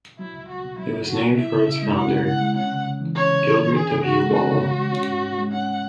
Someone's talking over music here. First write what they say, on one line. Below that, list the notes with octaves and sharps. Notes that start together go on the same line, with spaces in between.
It was named for its founder Gilbert W. Wall.
F#3 E4
C#2
C#2 F#4
B2
F#3 E4
C#2
C#2 F#4
B2
E4 E5
C#3
C#3
G#3
E4 F#5
C#3
C#3 F#5
G#3
C#4 F#5
C#3
C#3
E3
C#4 C#5
C#3
C#3
E3
C#4 G#4
C#3
C#3 F#4
G#3
C#4 F#4
C#3
C#3
G#3
C#4
G#2
G#2
G#3
C#4 F#5